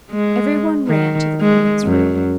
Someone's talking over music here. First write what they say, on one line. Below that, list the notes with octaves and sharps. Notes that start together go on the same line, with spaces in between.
Every one ran to the queen's room.
G#3
D#3
G#3
F#2